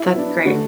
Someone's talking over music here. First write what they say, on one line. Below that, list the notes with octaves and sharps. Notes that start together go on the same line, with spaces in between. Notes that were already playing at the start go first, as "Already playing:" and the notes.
That's great.
Already playing: E4
F#3 B3 D4
D3 A3 F#4